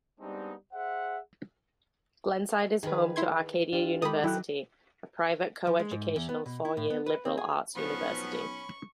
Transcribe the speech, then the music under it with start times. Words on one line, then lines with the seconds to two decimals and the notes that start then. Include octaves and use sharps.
Glenside is home to Arcadia University, a private co-educational four-year liberal arts university.
0.20 G3 G#3 B3 C4 D4 D#4
0.73 G#4 C5 E5 F#5
2.83 D#3 G#4 B4
3.16 E4 C6 G#6
3.73 D4 F4 G4
4.02 D#3 G#3 G4 A4 B5 D#6
4.24 F#3 E4 A4 G5 F#6
5.67 F3
5.79 G#3
5.91 G#2
6.16 E2
6.29 B3
6.46 B2
6.65 E4
6.77 A2
6.90 B3
7.06 B4
7.25 C4
7.37 G#4
7.76 B1 F3 B3 C#4 B5 C#6